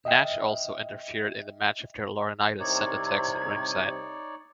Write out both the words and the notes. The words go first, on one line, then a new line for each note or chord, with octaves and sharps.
Nash also interfered in the match after Laurinaitis sent a text at ringside.
D#5 E5 G5
C2 C3 D#4 C#5 D5 G#6